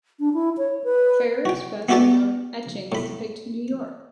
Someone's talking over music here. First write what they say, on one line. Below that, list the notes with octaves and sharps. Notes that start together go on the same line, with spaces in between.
Farrer's best known etchings depict New York.
D4
E4
C#5
B4
F#4 G5
B3 E4 F#4 G4 D5 A5
A2 B5